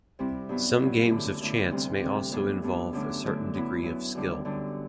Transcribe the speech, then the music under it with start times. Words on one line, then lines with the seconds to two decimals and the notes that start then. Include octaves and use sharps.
Some games of chance may also involve a certain degree of skill.
0.19 C3 G3 C4 E4
0.49 G2 F#3 B3 E4
0.80 G2 F#3 B3 E4
1.10 F#2 D3 A3 E4
1.40 F#2 D3 A3 E4
1.71 D2 C3 G3 C4
2.01 D2 C3 G3 C4
2.32 G2 F#3 B3 D4
2.62 G2 F#3 B3 D4
2.93 F#2 D3 F#3 A3 D4
3.23 F#2 D3 F#3 A3 D4
3.54 F#2 F#3 B3 E4
3.83 F#2 F#3 B3 E4
4.14 F#2 D3 G3 D4
4.45 F#2 D3 G3 D4